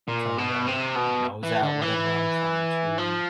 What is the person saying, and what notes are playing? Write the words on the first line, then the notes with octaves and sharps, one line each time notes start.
turn their nose at whatever I'm trying to,
A#2
B2
C3
B2
E3
D3
E3
F3